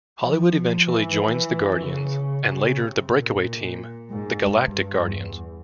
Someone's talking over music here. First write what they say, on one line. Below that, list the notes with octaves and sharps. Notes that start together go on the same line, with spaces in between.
Hollywood eventually joins the Guardians, and later the "breakaway" team, the Galactic Guardians.
F3
E3
C#3
C#3
C3
A#2
G#2
G2
E2